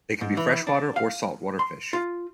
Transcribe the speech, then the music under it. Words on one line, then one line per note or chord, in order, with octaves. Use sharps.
They can be freshwater or saltwater fish.
G#2
E3
D4
F5
C6
F4